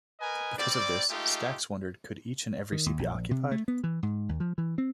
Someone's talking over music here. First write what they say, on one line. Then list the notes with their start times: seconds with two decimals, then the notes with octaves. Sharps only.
Because of this, Stax wondered: Could each and every seat be occupied?
0.20 A#4 B4 D#5 G#5
0.58 G3 C4 D5
1.09 G#3 A3 D#4 F4 G4
2.72 D#3
2.86 D#2
2.99 A#1
3.31 C3
3.51 A3
3.68 B3
3.84 E3
4.03 G#2
4.29 D#2
4.40 F3
4.58 E3
4.78 C4